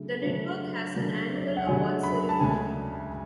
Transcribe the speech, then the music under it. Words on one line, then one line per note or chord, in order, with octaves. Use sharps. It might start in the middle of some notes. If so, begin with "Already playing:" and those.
The network has an annual awards ceremony.
Already playing: C#3 F#3 A3 D4
C#3 F#3 A3 D4 C#5
C#3 F#3 A3 D4
D5
E5
F#5
C#3 F#3 A3 D4 G#5
B5
A5
D2 C#3 G#3 D4 G#5